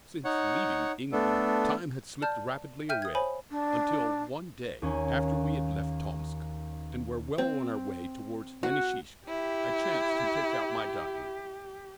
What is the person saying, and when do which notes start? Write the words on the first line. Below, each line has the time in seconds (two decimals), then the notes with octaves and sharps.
Since leaving England, time had slipped rapidly away, until, one day, after we had left Tomsk, and were well on our way towards Yeniseisk, I chanced to take out my diary.
0.25 D#4 C#5 F#5
1.12 A3 B3 D4 A4
2.22 D5 A5 F6 G6
2.89 E5 G5 F6 G6 D#7
3.02 D#6 G#6
3.15 C5 C#5 G#5 B5
3.50 D4
4.82 D#2 C#4
7.38 C4
8.63 F#4
9.28 E4 G4